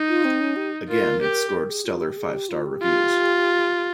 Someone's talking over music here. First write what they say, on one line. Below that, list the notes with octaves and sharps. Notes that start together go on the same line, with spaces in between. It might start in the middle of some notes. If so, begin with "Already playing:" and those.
Again, it scored stellar five-star reviews.
Already playing: D#4
F4
C4
C#4
G4
F4 A#4
G4
A#4
G#4
F4
G4
G#4
G4
F4
G4
F4